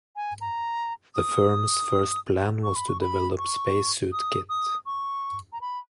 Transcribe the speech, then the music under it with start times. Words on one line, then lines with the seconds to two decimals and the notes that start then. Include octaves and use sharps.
The firm's first plan was to develop spacesuit kit.
0.16 G#5
0.41 A#5
1.15 D#6
2.64 C#6
2.76 B5
2.89 C#6
3.01 B5
3.38 C#6
4.13 D#6
4.50 D#6
4.86 C#6
5.53 A#5
5.61 B5